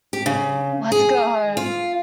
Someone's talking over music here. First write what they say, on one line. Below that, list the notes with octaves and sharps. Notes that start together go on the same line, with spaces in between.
Let's go home.
G4
C#3
G#4
F4